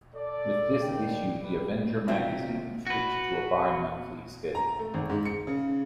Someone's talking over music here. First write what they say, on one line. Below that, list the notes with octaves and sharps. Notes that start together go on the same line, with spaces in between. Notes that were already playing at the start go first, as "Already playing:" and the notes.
With this issue, The Avenger magazine switched to a bi-monthly schedule.
A4 D5
D#2 D5 G5
G3 B4
C3 C4 D#4 F4 F#4
F#4 B4
A#5
A3
G#1
G#2
C#7
C#3